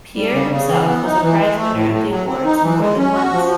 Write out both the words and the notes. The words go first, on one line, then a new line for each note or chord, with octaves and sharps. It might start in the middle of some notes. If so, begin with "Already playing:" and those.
Pierre himself was a prize winner at the awards more than once.
G3
C#3
C#3
E3
B3
D#4
E3
G#3
A3
A2
A2
F#3
C4
D#4
E3
G#3
C#4
F#4
F3